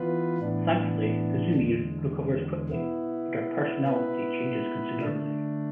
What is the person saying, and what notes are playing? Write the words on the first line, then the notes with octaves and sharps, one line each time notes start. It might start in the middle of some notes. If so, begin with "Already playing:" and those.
Thankfully, Kazumi recovers quickly, but her personality changes considerably.
Already playing: E3 B3 F4 B4
A2 E3 B3 D4
E2 D3 G#3
B2 B3 E4
B2 B3 E4 B4
D3 A3 D4